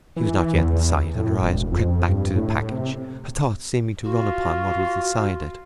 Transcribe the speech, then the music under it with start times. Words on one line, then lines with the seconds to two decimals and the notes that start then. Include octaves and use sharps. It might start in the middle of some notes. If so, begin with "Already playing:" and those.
He was not yet in sight; and her eyes crept back to the package, her thoughts seeming to run upon what was inside it.
0.16 E3
0.55 E2
1.15 A2
1.42 E1
1.72 F2
2.09 G2
2.35 A2
2.72 C3
4.04 F4 F#4